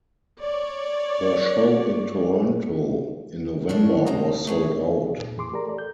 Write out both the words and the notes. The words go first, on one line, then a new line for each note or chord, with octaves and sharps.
Her show in Toronto in November was sold out.
C#5 D5
A2 F3 C#4 D4
F2 G3 A#3 D#4 A5 A#5
A3 G#4 C#5
A#2
F2 E3 G#4 C6 D6
A3 G4 A#4 D5 A#5
A4 D5
G6